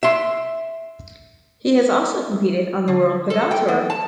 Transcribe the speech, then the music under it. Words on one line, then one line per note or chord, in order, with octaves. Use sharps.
He has also competed on the World Padel Tour.
E5 C6
D3
A4
G5
B3
A5